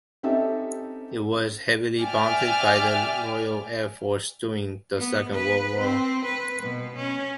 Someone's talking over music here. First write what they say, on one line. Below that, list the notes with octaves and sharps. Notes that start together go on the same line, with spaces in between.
It was heavily bombed by the Royal Air Force during the Second World War.
C4 C#4 D#4 G4 A4 E5
D5 E5 G5 G#5 D6 F6
B3
B4
C4
B4
B2
C#4